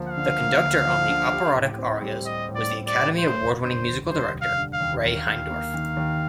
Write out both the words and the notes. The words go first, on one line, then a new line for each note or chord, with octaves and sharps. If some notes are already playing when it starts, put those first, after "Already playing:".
The conductor on the operatic arias was the Academy Award-winning Musical Director Ray Heindorf.
Already playing: D2 F3 A#3
F5
D3
A#3
D2
F3
D3
G4
A2
C4
G3
G4 D#5
A2
D5
C4
D5
G3
G3 C5
F1
D3 C5
D#2
G3 C5
F1
F5
D3
F5
D#2
D#2 F5
D#2
A#3
D#3
D#2